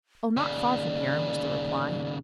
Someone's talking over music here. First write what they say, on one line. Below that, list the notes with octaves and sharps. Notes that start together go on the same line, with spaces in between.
'Oh, not far from here,' was the reply.
D#2 C#3 D5